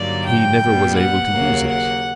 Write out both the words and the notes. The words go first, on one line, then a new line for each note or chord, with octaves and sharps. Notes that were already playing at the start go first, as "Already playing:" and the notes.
He never was able to use it.
Already playing: G2 D3 F#3 A#3 D#4 D5
G5
A#2 G3 B3
F#5
D#2 C#3 F#3 A#3
F#5